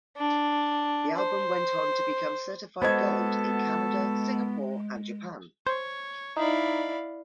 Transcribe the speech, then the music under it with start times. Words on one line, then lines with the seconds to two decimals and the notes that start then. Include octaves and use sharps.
The album went on to become certified Gold in Canada, Singapore, and Japan.
0.17 D4
1.16 C5
2.82 G#3 B3 F#4 A4 C5 D#5 G#6
5.67 C5 C#5
6.37 D#4 E4 D5 F5 B5